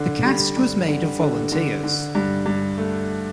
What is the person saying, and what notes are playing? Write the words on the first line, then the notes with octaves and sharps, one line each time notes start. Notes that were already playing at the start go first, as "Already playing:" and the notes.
The cast was made of volunteers.
Already playing: D3
G3
G2
D3
D3
D3
D3
G2
G2
A3